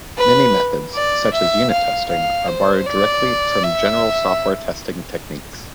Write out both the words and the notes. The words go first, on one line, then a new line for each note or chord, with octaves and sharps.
Many methods, such as unit testing, are borrowed directly from general software testing techniques.
B4
D5
E5
F5
F5
C5
D5
E5